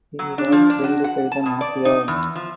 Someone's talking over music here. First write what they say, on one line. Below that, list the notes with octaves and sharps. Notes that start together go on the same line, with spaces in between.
He was killed by the mafia.
F#3
D4
F3
D4
F#4
F#5
A5
B2
D5
D#4
E2
F3